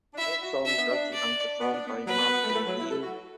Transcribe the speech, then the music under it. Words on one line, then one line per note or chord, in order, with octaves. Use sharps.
All songs written and performed by Marko Laiho.
D4
E4 E5
F#4
D4 E5
B3
D4
D5
B3
D4
B3
F#3 B4
B3
B3
A3
A3
F#3
E4
A4
F#4